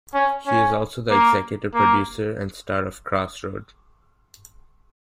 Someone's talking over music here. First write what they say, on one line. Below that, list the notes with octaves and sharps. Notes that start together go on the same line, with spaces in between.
She is also the executive producer and star of "Crossroad".
C#4
C#4
A#3
A#3